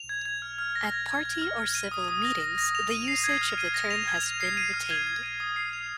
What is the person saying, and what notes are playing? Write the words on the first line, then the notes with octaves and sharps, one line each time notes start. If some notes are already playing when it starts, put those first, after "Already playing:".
At party or civil meetings, the usage of the term has been retained.
Already playing: F7
G#6
G#6
F6
F6
A#6
G#6
G#6
G#6
F6
F6
D#7
D#6
D#6
A#6
A#6
A#6
F7
D#7
C7
G#6
F6
D#7
A#6
F7
G#6
F7
C7
D#7
F6
G#6
G#6
D#7
D#6
C7
F7